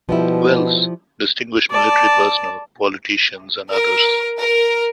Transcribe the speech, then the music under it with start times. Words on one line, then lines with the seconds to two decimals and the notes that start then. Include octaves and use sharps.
Wells, distinguished military personnel, politicians, and others.
0.09 B2 F3 G3 E4
1.71 D5 A5
3.71 A#4
4.39 A#4